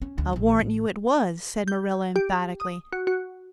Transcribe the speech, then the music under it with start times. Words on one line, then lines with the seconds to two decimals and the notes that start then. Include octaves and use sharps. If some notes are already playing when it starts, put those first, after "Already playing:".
"I'll warrant you it was," said Marilla emphatically.
0.02 C#4
0.18 D2
0.33 A#1 E3
0.59 A1
1.68 G6
2.16 G4
2.60 D#6
2.93 F#4
3.07 F#4